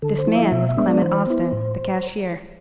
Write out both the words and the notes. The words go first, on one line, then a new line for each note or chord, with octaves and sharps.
This man was Clement Austin, the cashier.
D3 A4
C5
F3 A3 E4
E5
B2 E5
E5
G#3 B3 D4
D5
E3 C5
B3 E4
A2